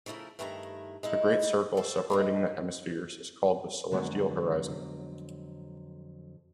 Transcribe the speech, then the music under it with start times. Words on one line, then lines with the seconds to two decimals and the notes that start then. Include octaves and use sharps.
The great circle separating the hemispheres is called the celestial horizon.
0.06 C#3 F3 A3 E4 A#4
0.39 G2 D#3 A3 E4 A5 A#5
1.03 G#3 D#4 E4
1.77 A4 C5
2.10 G#2 D#3 A#3
3.91 F2 D3 F#3 G#3 B3